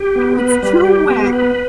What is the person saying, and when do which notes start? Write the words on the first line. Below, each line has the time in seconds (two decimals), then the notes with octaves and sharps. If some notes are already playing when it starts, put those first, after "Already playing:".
if it's too wet,
Already playing: G4
0.16 B3
0.39 B4
0.63 G3
0.85 G4
1.09 B3
1.33 B4